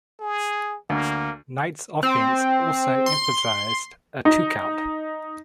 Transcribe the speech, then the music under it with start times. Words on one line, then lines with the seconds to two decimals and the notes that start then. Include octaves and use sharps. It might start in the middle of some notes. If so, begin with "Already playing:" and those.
Knight's offense also emphasized a two-count.
0.20 G#4
0.90 D2 A#3
2.03 C4
3.06 C6
4.25 D#4